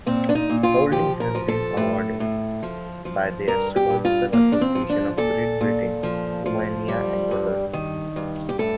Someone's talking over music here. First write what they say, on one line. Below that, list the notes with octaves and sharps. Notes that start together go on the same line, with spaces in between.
Houlding has been awarded by the Astrological Associations of Great Britain, Romania, and others.
A#2 C4
D4
D#4
A#2
F4
F3 G4
A#4
F3
A4
A2
A2
F3
F3
G2 A#4
G4
G2
F4
F3 A#3
D4
C4
F3
D4
A#2 A4
A#2
F3
F3
G3
G2
D#3
G2
G4
A2 A4